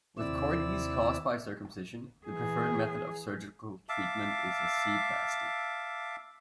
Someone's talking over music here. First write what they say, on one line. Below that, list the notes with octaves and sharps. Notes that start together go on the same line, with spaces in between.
With chordees caused by circumcision, the preferred method of surgical treatment is a z-plasty.
D#2 C3 C4 E4 D5 E6
E3 G#4
E5 F5 A5 D6